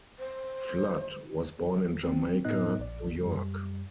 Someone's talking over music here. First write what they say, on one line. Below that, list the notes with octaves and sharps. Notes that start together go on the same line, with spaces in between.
Flood was born in Jamaica, New York.
C5
C4
A2 B3 D#4 D#5 F#6
A#1 D5
F#2 G3